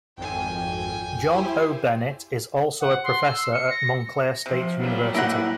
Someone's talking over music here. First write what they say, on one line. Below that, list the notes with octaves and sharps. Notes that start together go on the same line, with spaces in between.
John O. Bennett is also a professor at Montclair State University.
G#1 F2 G5 G#5
E4 G4 C5
F#5
C6
E6
C#7
A#6
C3 F3
F#3 G3 B3 F4 F#4
A2 A3 A#3 E4 A#4 F#5